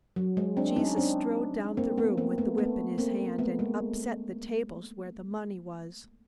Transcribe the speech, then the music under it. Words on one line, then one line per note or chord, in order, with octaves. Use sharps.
Jesus strode down the room with the whip in his hand, and upset the tables where the money was.
F#3
G#3
C4 D4
C#4 D#4
C4 D4
A#3 C4
A3 B3
A#3 C4
A3 B3
A3 B3
A#3 C4
A3 B3
G#3 A#3